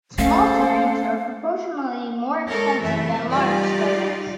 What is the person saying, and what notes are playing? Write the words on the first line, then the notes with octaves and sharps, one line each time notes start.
Small servings are proportionally more expensive than large servings.
A3 C#4 A4 C5 F5
G#3 A4 A#4 C#5
F#2 C3 E3 A3 E5
G3 D#4 F4 G4 D5 D#5